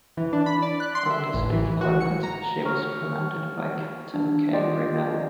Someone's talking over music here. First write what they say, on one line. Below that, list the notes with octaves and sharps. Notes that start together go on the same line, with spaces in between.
On this deployment, she was commanded by Captain K Rimell.
E3
D4
B5
D5
F#6
C6
E5
A1
E3
F#4
C#7
A#5
C#5 C#6 F6
D4
F4 D5 D#5 G5 C6